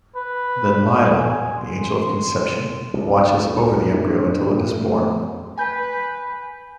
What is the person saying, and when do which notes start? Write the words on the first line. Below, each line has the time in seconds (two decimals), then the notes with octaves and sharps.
Then Lailah, the Angel of Conception, watches over the embryo until it is born.
0.16 B4
1.17 G#5
1.58 C6
2.94 C2
3.38 D2
3.94 D4
4.49 A#2
4.72 A3
5.58 B4 G#5 B5 G6